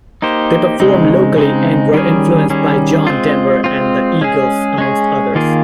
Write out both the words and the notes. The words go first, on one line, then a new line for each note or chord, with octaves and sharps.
They performed locally and were influenced by John Denver and The Eagles, amongst others.
A#3 D#4 G4 C5
C#3 G#3 C4 D#4
C#3 G#3 C4 D#4
D#3 G3 C#4 G#4
D#3 G3 C#4 G#4
G#3 C4 F4
G#3 C4 F4
G#3 C#4 G#4
G#3 C#4 G#4
D#3 A#3 F4 G#4